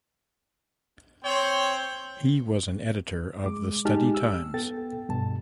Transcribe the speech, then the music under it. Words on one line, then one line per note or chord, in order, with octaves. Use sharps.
He was an editor of the "Study Times".
C4 C5 C#5 G5
G#3 D6
G#3 D#4 G4 G#5 A5 F6
E6
B3 A4 G5 A6
C2 G2 B2 A5